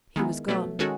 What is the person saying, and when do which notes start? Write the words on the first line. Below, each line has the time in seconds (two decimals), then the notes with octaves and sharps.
He was gone.
0.16 D#3 G#3 B3 E4
0.48 B2 F#3 A3
0.79 D#3 G#3 C#4 F#4 A4